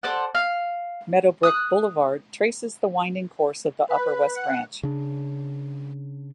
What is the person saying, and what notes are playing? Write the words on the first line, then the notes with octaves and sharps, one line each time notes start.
Meadowbrook Boulevard traces the winding course of the upper west branch.
A4 C5 D5 F#5
F5
D#6 F#6
B4
F#5
C#3 D4